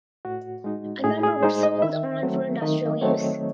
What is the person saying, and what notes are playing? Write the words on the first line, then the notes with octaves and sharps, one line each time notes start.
A number were sold on for industrial use.
A2 F#4
G#3 D#4
A2 G#4
G#4
G#3 D#4 C5
D#5
D#3 E5
F#3 A3 C4
D#3 D#5
F#3 A3 C4 C#5